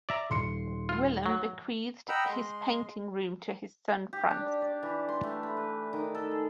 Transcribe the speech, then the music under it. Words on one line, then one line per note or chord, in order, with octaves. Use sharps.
Willem bequeathed his painting-room to his son Frans.
D5 E5 A#5
D#1 C6 C#7
F4
F#3
D#5 F#5 G5 A#5 B5 E6
G#3 C6
G4
D4
D5
E3
C6
A3
B5
B4
D#3
A4
G#4